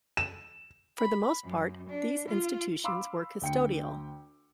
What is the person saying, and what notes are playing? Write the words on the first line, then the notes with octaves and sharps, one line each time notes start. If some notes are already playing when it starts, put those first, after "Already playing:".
For the most part, these institutions were custodial.
E7
B5
F#2
D4
F4
F5 B5 C6 D6 E6
D2 G5 C#7